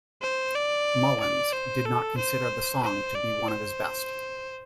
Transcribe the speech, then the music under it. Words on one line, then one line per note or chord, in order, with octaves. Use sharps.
Mullins did not consider the song to be one of his best.
C5
D5
D5
C5
A4
C5
C5
D5
C5